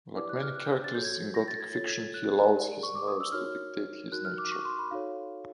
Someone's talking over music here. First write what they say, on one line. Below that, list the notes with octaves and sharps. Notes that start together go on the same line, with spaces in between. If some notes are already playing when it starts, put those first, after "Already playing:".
Like many characters in Gothic fiction, he allows his nerves to dictate his nature.
E4 G4 B4 D5 D6
F#6
F6
F#6
G6
A6
F#4 A4 C#5 G6
G#6
A#6
A6
G#6
F4 A4 C#5 A6
G#6
F#6
G4 A#4 D5
C#6
D6
D#6
E6
D#4 F#4 A#4 C#5 F6
D#4 F#4 A#4 F#6
F6
D6
C#6
C6
B5
D#4 F#4 A4 C#5 F5